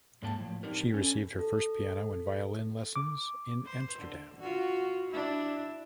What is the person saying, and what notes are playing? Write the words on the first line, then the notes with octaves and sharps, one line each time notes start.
She received her first piano and violin lessons in Amsterdam.
G#2 G#3 A#3 G5 A5
A2 F3
C4 D4 D#4 G4 A#4
C#4 A4
A4
D6
C5
D3
F4 F#4
D4 E4